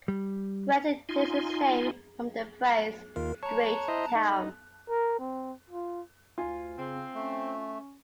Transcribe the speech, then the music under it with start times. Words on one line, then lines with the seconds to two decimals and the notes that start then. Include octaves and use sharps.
Gretton takes its name from the phrase "Great Town".
0.08 G3
1.09 D#4 F4 G#5 C6
3.16 D#2 F4 A#4
3.43 C#5 A5 A#5
3.88 E4 C5 D#5
4.15 D#4
4.89 A#4
5.19 C4
5.70 F4
6.38 D2 F4 G#5
6.78 C#3 C4
7.14 A3 C#4